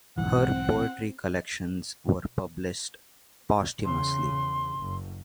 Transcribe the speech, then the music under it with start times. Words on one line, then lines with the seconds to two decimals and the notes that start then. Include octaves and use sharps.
Her poetry collections were published posthumously.
0.18 B1 G#2 E3 C4 F#5
3.85 E2 C#3 C6
4.78 F#1